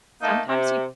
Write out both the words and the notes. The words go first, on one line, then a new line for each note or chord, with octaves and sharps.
sometimes you
A3 A#3 D#4
C3